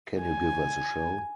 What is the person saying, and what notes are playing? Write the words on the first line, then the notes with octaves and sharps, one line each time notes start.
Can you give us a show?
G#5